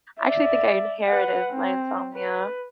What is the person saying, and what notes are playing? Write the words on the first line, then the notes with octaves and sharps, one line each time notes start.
I actually think I inherited my insomnia.
D5 E5
B4 F#5
C4
B4